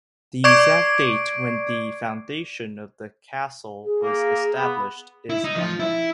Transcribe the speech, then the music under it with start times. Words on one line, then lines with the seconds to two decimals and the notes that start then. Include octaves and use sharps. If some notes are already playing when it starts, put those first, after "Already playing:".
The exact date when the foundation of the castle was established is unknown.
0.44 D5 C#6 D6 G#6 C7 D7
3.84 G#4
4.03 A#3
4.56 B3
5.30 E4
5.44 D#4
5.56 F3
5.80 E4